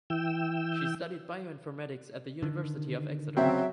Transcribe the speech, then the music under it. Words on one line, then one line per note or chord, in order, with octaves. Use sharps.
She studied Bioinformatics at the University of Exeter.
E3 G5 E6
D3 D#3
C#3 F#3 C4 E5 G5